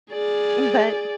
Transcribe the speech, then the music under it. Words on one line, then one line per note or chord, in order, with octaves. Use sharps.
M but
G#4 D5